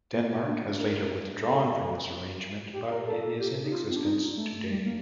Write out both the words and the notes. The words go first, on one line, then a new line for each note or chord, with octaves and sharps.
Denmark has later withdrawn from this arrangement but it is in existence today.
A#3
D4
A#4
A4
G4
A#4
A4
A4
G4
D#4
F4
C4
D4
D#4
A3
G3
A#3